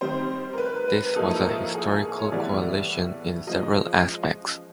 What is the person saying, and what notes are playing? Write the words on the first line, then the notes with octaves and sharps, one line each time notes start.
This was a historical coalition in several aspects.
D#3 G3 C4 C5
A#4
B4
B4
A2 F3 A#3 D#4 A4
A#4
G#4
C#5
A2 E3 G3 B3 D5
F3 G#3 C#4 D#5